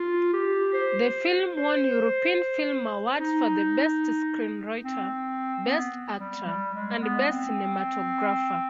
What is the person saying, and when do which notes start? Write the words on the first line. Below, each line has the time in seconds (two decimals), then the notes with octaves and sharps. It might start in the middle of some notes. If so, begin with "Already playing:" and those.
The film won European Film Awards for Best Screenwriter, Best Actor, and Best Cinematographer.
Already playing: F4
0.33 G4
0.73 C5
1.56 C5
3.20 D#4
4.83 C4
5.64 B3
6.19 G3
6.46 G3
6.74 G#3
7.02 B3
7.29 C4